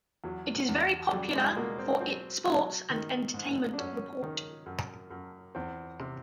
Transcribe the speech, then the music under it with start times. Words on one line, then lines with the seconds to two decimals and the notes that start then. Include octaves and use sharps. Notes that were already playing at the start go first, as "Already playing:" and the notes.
It is very popular for its sports and entertainment report.
0.24 E2 F#3
0.69 E2
1.12 F#3 G3
1.35 G#3
1.56 B2 A#3
1.79 C4
2.01 F#3 C4
2.45 F#3
2.90 D#3
3.34 G#2
3.73 D4
3.78 F#2 C#4
4.23 D#3
4.66 F#2
5.10 F#2
5.55 E2 C4
6.00 C3